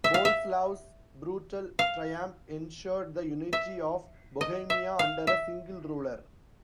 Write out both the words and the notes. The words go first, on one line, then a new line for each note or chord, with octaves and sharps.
Boleslaus's brutal triumph ensured the unity of Bohemia under a single ruler.
E5
F5
E5
F5
E5
D#5
E5
F5
E5